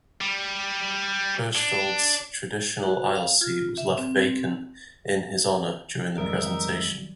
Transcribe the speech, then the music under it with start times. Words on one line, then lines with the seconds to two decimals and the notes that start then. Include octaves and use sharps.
Hirschfeld's traditional aisle seat was left vacant in his honor during the presentation.
0.21 G3
1.56 D4
2.83 F#4
3.15 F5
3.41 F4
3.78 E5
3.98 C4
6.18 F2 G#2 D#3 F#3 G3 D#4 A#4 E5